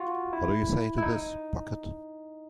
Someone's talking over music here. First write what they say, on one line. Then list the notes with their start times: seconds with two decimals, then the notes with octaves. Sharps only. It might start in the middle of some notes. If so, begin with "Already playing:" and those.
What do you say to this, Bucket?
Already playing: F4 F#4
0.33 E4
0.98 E4
1.03 D#4